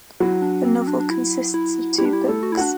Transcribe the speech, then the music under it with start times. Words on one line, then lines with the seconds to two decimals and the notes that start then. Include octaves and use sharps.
The novel consists of two books.
0.20 F#3 E4 F#4
0.42 D4
0.65 C4
0.82 C4
0.87 D4
1.00 D4
1.10 E4
1.54 E4
1.98 G3 E4 G4
2.05 D4
2.13 E4
2.28 A3 A4
2.43 F#4
2.52 E4
2.57 D4 F#4 F#5